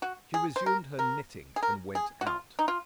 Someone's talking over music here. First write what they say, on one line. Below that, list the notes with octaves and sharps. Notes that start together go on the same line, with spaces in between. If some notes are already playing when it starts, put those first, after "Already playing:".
She resumed her knitting and went out.
F#4
G#4
C5
A#4
A#4
G#4
A#4
G#4
F#4
F4
D#4
F4